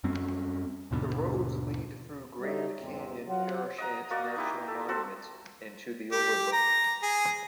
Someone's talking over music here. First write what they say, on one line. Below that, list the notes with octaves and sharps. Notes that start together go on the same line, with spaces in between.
The roads lead through Grand Canyon-Parashant National Monument and to the overlook.
F#2 G3 C4 C#4
D#2 G#2 B2 D3
G3 D#4 F#4 A4 C#5 E5
E2 G#2 C3
F#3 F4 C#5 F#5
D#5 F#5 A#5
A#3 F#4 D5 D#5
D#4 E4 G4
A4
C4 F#4 A4 C5
G4
A#5
G#4